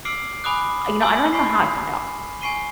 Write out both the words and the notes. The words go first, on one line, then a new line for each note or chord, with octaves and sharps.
you know, I don't even know how he found out
D6 E6 F6 C7 D7 F#7
G#5 B5 D6 D#6 F#6
G#5 C6 E6 F6
G#5 B5 C#6 B6 C7
G#5 C#6 C7 D#7 G7